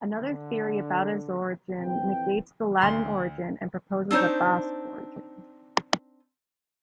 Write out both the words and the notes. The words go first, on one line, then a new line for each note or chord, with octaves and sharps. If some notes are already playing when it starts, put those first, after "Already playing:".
Another theory about is origin negates the Latin origin and proposes a Basque origin.
D3
F2 E3 C4 G5
D2 C6
C4 D4 D#4 C5 C#5